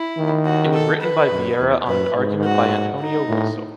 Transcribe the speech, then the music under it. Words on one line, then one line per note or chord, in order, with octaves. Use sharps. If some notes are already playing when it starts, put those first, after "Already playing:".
It was written by Viera on an argument by Antonio Rosso.
Already playing: E4
D#3
F#4
A4
B4
F#2
E2
F#2 B4
G#2
F#4
D#4
A2